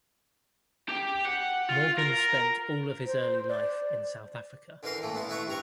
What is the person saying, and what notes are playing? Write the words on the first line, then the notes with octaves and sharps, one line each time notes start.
Morgan spent all of his early life in South Africa.
G4
F#5
F4
A#4
C5
D5
D3 E3 A#4 C6
A#2 A3
B3 E4
A3 E4 B4 C#5
G2 A#5 C#6